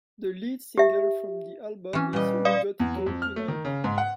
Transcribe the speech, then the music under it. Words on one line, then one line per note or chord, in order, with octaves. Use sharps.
The lead single from the album is "We Got It All Tonight".
G4 E5
E3 C4 C#4
A#2 G3 B4 D#5
D5 F5 D#6
E2
F#3
F2
F6
A3
D#3
C#3
G#2
F#5